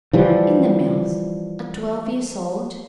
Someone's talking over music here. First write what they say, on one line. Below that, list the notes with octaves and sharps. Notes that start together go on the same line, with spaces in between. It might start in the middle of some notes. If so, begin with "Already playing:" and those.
"In the mills--at twelve years old!"
E3 F3 G3